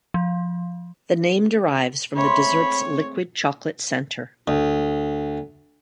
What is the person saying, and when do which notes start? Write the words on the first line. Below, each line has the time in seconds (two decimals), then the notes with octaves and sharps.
The name derives from the dessert's liquid chocolate center.
0.14 F3
2.17 G#3 A3 C4 C#5 B5
4.48 D2